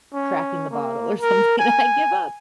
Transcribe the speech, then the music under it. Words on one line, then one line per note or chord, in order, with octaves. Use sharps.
cracking the bottle or something, "I give up!"
C#4
A#3
A#4
G#5